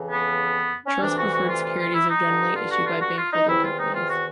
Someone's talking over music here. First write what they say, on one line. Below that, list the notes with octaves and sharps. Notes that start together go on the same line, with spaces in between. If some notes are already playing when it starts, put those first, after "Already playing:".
Trust-preferred securities are generally issued by bank holding companies.
Already playing: F2 C#3 E3
B3
C#4
D2 C3 E3 D4
F#4
F#4
F4
F4
F4
E4
D#4
G2 D3
F4
F#4
F4
F#4
F4
D#4
E2 C3 D#3 E4
F4
D#4
F4
F#4